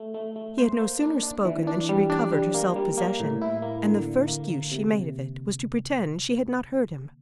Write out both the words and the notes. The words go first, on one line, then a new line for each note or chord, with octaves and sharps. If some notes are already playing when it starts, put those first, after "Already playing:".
He had no sooner spoken than she recovered her self-possession, and the first use she made of it was to pretend she had not heard him.
Already playing: A3
A3
A3
C5
A#3
D4
D4
E3
D4
G3
D4
G3
A#3
G3
A#3
A2
E4
A#3
D3
D3
A#3
A#3
C3